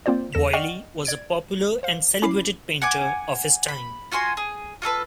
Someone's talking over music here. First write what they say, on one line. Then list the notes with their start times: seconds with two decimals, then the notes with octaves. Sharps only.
Boilly was a popular and celebrated painter of his time.
0.06 A#3 C4 F4 C5 D5
0.32 E2 A4 A#6 E7
0.53 D5 D#5 F#5 G5 C#6 F6
1.05 D5 G#6 D7
1.83 C5 F5
2.22 C#4 E4 B5 D6 C7
2.82 F#5 G#5 D6
3.68 B5
4.12 F4 F#4 G#5 C6
4.37 G#4
4.82 F4 F#4 A4 B4